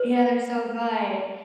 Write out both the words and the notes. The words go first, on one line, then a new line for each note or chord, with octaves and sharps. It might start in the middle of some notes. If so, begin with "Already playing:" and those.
Yeah, they're so good.
Already playing: B4